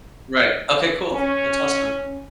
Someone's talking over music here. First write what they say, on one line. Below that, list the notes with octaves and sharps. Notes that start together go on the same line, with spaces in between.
Right. Okay. Cool. That's awesome.
C#4